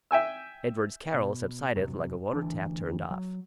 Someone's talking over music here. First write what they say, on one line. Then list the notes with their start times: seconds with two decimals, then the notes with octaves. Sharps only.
Edward's carol subsided like a water-tap turned off.
0.11 E5 G5 G#5 E6
1.14 B2
1.75 E2 G2 C3 F#3
2.33 D2 E3 D4
3.11 F#3